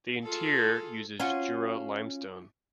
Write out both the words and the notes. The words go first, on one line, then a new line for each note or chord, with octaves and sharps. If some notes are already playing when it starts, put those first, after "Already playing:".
The interior uses Jura limestone.
F4 G#4 A4
C#4 F4 F#4